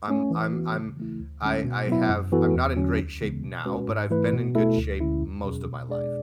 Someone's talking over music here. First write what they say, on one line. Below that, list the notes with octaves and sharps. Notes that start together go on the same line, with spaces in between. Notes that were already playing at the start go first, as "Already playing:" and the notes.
I'm I'm I'm I I have I'm not in great shape now, but I've been in good shape most of my life.
A3 C#4
E3
B3 F#4
C#3
E3 A3 E4
D2
D3 G#3 C#4
B2
F#3 B3 E4
F#2
E3 B3 F#4 A4
E2
D3 F#3 C#4 F#4
D2
C#3 E3 G#3 B3
B2
G#3 C#4 F#4 B4
G#2
E3 A3 E4 B4
B2
A3 E4 A4
D2
D3 G#3 C#4 E4
E2
B2 F#3 C#4 G#4
B2
G#3 D4 G#4 D5